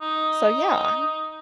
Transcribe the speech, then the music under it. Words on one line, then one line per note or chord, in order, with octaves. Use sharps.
so yeah, I'm
D#4